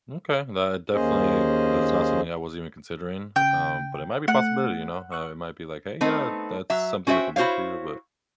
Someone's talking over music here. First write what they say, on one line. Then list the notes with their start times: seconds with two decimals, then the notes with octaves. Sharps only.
Okay. That definitely that's not something I was even considering, um, but it might be a possibility, you know? It might be like, "Hey, yeah, that's something we can do for you." But
0.93 D#2 A#3 C#4 G#4 C5 D#5
3.36 C#3 G5
4.28 A3 F#5
5.12 C#6 F#6
6.01 A3 B3 C4 D#4
6.70 F#3 E5
7.07 C#4 F#4 C5 D5 E5 G5
7.36 E4 F#4 C5 C#5 F5